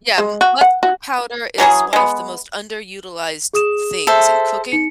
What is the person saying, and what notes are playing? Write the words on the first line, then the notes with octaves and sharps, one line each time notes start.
Yeah, m mustard powder is one of the most underutilized things in cooking.
G#3
F#4
F#5
F#4
E3 F#3 C#4 G#4
G#3 B3
G#4 D#6 E7
A4 C5 E5
D#4 C#7